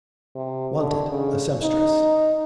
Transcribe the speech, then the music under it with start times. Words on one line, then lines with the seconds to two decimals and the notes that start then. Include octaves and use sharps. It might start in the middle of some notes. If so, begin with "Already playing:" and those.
Wanted, a Sempstress!
0.36 C3
0.80 D3
1.10 C#3
1.63 D#4